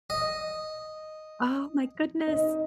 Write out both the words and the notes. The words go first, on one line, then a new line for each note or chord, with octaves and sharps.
Oh my goodness!
D#5
D#4